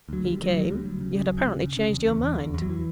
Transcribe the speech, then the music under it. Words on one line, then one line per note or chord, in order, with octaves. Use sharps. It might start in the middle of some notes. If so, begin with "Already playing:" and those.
'He came; you had apparently changed your mind.
D2 F#3
D2 G3
D2 F#3
D2
D2 G3
D2 F#3
C#3
C#3 F#3
D2
C#3
C#3
C#3
E2
E2
E2
E2
E2
F#3
E3